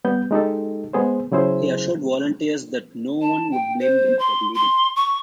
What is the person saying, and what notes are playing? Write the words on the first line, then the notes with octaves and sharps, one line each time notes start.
He assured volunteers that no one would blame them for leaving.
G3 B3 G6
G#3 D#4 G4 A4
G#3 B3 G#4 C5
C#3 F#3 E4 G#4 C5
A5
G5
C5
C6
C6
C#6